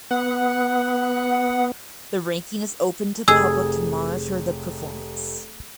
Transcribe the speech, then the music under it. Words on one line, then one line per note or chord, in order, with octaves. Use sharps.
The ranking is open to public to monitor the performance.
B3 F#5
F1 G#4 E6